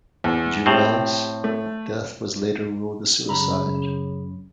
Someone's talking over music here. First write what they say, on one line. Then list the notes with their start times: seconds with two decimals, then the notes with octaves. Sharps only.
Deuel's death was later ruled a suicide.
0.24 E2
0.66 A2 C4 G4
1.44 A3
3.29 F#2 C#3 A#5 B5